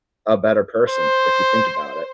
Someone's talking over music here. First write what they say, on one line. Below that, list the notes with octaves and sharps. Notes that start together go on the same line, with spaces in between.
a better person, if you think about it.
C5